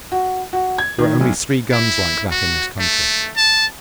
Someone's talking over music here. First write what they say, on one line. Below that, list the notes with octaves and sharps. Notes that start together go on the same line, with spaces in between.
There are only three guns like that in this country.
F#4
F#4
G#6
D#3
B1
E4
F#4
A3
A5